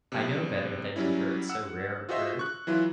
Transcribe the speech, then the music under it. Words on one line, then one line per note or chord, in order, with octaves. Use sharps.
I know better than to hurt so rare a bird.
B1 C3
F#3 G3 C#4 E4
F#5 E6
F4 F#4 G#4 C5 D#5 E5
C#6 F#6
E3 F#3 E4 F4